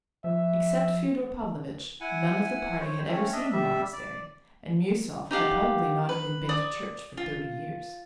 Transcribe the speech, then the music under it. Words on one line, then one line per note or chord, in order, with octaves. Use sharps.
Except Fyodor Pavlovitch, none of the party had ever seen the monastery, and Miuesov had probably not even been to church for thirty years.
F3 E5
E4 F#5 G#5
C5 C#5
A3 C4 C#4 C#5
D4 D#5 E5
G3 E5
D5
D#4 G4 F5 F#5
B4
D5 D#6
F4